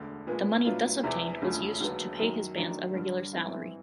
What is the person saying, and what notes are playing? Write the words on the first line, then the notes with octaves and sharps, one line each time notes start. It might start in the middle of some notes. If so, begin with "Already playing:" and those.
The money thus obtained was used to pay his bands a regular salary.
Already playing: E1 D2 D3
A#2 F3 G#3 B3
A2 F#3 B3 D4 F4
E1 E2 C3 E3
E1 D2 C#3 F3
E1 D#2 D3 F#3 B3
F#2 D#3 F#3
F#2 D#3 F#3 A3 D4
G2 D3 G3
G#2 E3 G3 C4 E4